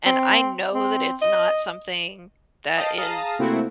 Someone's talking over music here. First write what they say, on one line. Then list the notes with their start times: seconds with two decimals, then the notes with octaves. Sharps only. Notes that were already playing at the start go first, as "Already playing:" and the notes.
and I know that it's not something that is
0.06 C4
0.74 C4
1.22 D#5
2.76 D#5 F5 G5 A5
2.97 G#4 F5 A5 A#5 D#6
3.39 C3 A3 A#3 C4 E4 F#4